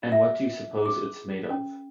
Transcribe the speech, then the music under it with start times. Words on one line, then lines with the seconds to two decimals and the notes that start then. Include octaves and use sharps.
And what do you suppose it's made of?
0.12 E5
0.86 G#4
1.50 C#4